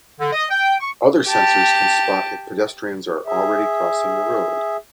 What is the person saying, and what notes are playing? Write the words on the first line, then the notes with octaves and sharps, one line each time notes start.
Other sensors can spot if pedestrians are already crossing the road.
D3
D#5
G5
C#6
G4 A5
G#4 E5